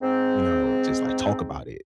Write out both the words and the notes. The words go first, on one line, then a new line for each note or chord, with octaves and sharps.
you know, just, like, talk about it,
G#2 C4